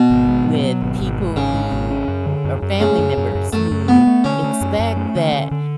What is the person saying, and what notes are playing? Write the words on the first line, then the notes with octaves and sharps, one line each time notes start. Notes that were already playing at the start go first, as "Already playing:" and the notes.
with people who are family members, who expect that,
Already playing: B2
G#1
G#2
F#3
F#3
G#1
G#1
G#2
G#1 C#3
G#2
G#1
C#4
F#2
D3
F#2
F#2
C#3 A3
F#2
F#2
F#2
F#2 A3
F#2
A3 B3
A3
D3 C#4
A3
F#2
F#2
A3
D3
D3
D3